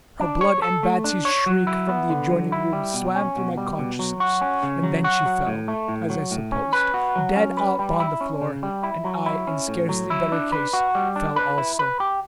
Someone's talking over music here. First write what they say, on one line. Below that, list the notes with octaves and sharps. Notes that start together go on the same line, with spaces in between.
Her blood and Batsy's shriek from the adjoining room swam through my consciousness, and then she fell, as I supposed, dead upon the floor, and I, in scarcely better case, fell also.
D4
C#5
A4
A3
D4
C#5
F#3
E4
B3
D3
F#3
E4
G3
B2
C#4
B2
G3
B2
F#3
F#4
C#4
C#3
F#3
F#4
F#3
A2
A3
A2
F#3
A2
C#4
B4
F#4
F#3
C#4
B4
G3
E4
C#4
C#3
G3
E4
F#3
E4
C#4
A2
F#3
E4
D4
B4
F#4
G3
D4
B4
E4
B4
G4